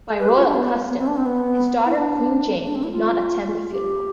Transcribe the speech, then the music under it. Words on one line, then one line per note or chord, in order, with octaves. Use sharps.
By royal custom, his daughter Queen Jane did not attend the funeral.
B4
G4
F4
D4
B3
B3
C4
D4
C4
B3
E4
D4
D4
C4
E4
F4
G4